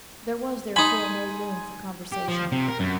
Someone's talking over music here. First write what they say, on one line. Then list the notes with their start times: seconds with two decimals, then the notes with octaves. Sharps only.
There was therefore no room for conversation.
0.76 D#4 G#5 B5 C6 G#6
2.12 G4
2.28 F3
2.52 C3
2.68 A#4
2.80 F#2